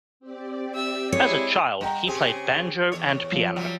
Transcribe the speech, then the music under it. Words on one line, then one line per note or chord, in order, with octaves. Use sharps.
As a child, he played banjo and piano.
C4 G4 D5
E5 E6
G#3 E4 C#5
G3 F#5 G5 A#5
C#3 C4 G4 G#4
E2 C#5
F3
F#3 G3